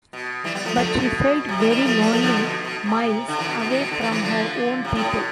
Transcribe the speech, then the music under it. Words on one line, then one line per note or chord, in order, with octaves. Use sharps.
But she felt very lonely, miles away from her own people.
B2
E3 G3
G3 B3
F3 A3
F3 A3
D3
B2
B2
C3
E3 G3
E3 G3
F3 A3
G3 B3
F3 A3
D3 F3
B2
B2
B2
C3
D3
C3 E3
B2
B2
C3 E3
B2
D3
C3 E3
C3 E3
D3 F3
C3
A2
B2